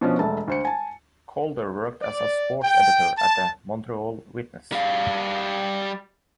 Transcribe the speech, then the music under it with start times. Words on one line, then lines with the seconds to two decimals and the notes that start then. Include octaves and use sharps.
Calder worked as a sports editor at the "Montreal Witness".
0.01 B2 F3 B3 C#4 D4
0.19 E1 A3 A5
0.48 D2 C5 C#7
0.65 G#5 A5
2.01 D5
2.63 G5
3.15 A5
4.72 G3 F5